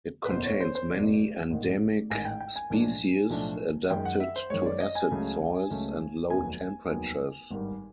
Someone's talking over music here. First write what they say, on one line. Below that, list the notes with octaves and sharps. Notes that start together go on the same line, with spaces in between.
It contains many endemic species adapted to acid soils and low temperatures.
B4
F#1 E2 B2 C5
C#5
C5
C5
F#1 E2 B2 D5
A1 G#2 D#3
A1 G#2 D#3 G#5
G5
G5
G#5
B1 A2 F3 A3 D4
B1 A2 F3 A3 D4
F#2 D#3 G#3 G5
F#5
E5
C5
F#2 D#3 G#3 C#5
D5
D#5
G#5
C#2 C#3 F#3 A3 C#4
C#2 C#3 F#3 A3 C#4
F1 D#2 D#3 F#3 B3 G#5
F1 D#2 D#3 F#3 B3
G#1 G2 D#3 G3